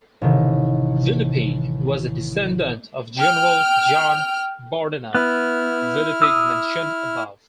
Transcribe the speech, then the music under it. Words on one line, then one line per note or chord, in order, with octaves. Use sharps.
Villepigue was a descendant of General John Bordenave Villepigue mentioned above.
A1 C3 D#3
G5 F6
B3 E4 F6
D#6 E6